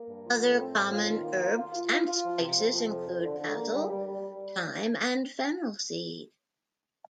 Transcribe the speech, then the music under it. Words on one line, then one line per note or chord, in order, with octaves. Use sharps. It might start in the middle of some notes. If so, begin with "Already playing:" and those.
Other common herbs and spices include basil, thyme and fennel seed.
Already playing: A#3
G2
F3
A2
C4
A2
F4
D#3
A#3
F4
F4
F4
F4
F4
F3
C3
C3
F3
F2
F2
D3
D3
A#3
G3
G3
G3